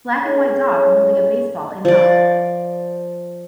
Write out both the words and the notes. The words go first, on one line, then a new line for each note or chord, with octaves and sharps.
Black and white dog holding a baseball in mouth.
A2 C#4 G#4 C#5
F3 D5